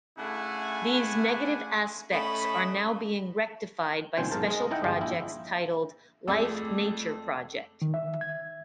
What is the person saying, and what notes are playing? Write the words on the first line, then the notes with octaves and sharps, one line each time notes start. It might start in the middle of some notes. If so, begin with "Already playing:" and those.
These negative aspects are now being rectified by special projects titled "Life-Nature Project".
C#3 A3 D4 E4 F#5 G#5
A3 C#4 D#5 B5
C2 A#2 D#3 C#4 C5 C#5
B1 G#2 A#4 A5
G#3 D#5
D#4 E4 D#5 F#5 G5
G1 G#3 F4 G4 D#5
A#1 E4
F2 G#3 A3 D5 D6 E6
D#3
E5
G#6